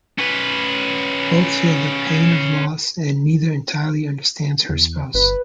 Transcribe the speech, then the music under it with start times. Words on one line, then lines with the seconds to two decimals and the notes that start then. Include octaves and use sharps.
Both feel the pain of loss and neither entirely understands her spouse.
0.18 C#4 B4
4.69 E2
5.14 G1 B4